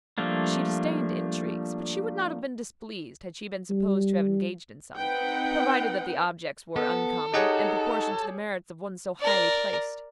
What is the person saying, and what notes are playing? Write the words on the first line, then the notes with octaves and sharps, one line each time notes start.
She disdained intrigues; but she would not have been displeased had she been supposed to have engaged in some, provided that the objects were uncommon, and proportioned to the merits of one so highly placed.
F3 G3 A3 A#3 D4
G3
C4 D#4 B4 F#5 G5
B3 A4
D#4 G4 G#4 C#5 D#5 F#5
A#4 D5